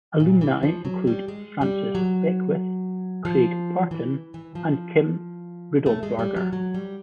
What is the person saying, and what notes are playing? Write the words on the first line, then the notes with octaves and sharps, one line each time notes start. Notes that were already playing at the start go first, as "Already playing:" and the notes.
Alumni include Francis Beckwith, Craig Parton and Kim Riddlebarger.
A#2
E3
F3
F#3
G3
G#3
G3
F#3
F3
E3
E3
F3
A3
G#3
G3
F#3
F#3
G3